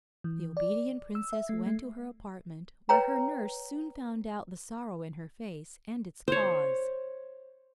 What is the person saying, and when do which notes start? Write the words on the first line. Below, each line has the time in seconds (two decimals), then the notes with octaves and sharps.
The obedient princess went to her apartment, where her nurse soon found out the sorrow in her face, and its cause.
0.24 E3
0.57 D5
1.15 E6
1.33 E5
1.49 A3
1.66 A3
2.89 B4 C#5 G5 A#5
6.28 C5 C#5